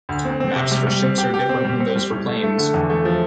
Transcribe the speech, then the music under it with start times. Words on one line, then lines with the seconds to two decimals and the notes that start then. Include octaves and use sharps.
Maps for ships are different than those for planes.
0.09 D2
0.25 C4
0.40 C4
0.56 C3
0.72 G3
0.87 G3
1.03 C4
1.18 G4
1.34 G4
1.49 C4
1.65 G3
1.80 C4
1.96 G3
2.12 A2
2.27 A3
2.44 A3
2.58 D3
2.74 E2
2.90 A3
3.05 F3